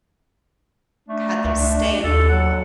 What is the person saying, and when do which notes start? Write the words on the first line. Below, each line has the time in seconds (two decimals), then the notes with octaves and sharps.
had them stay in the pool
1.08 A3 D4
1.44 C#2 A3
2.04 D#2 A4
2.29 F#3 F#5